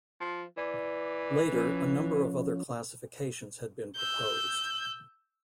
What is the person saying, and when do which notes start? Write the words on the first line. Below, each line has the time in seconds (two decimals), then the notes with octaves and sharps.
Later, a number of other classifications had been proposed.
0.21 F3
0.57 E3 D5
1.52 F3 C#4
3.96 E6 G6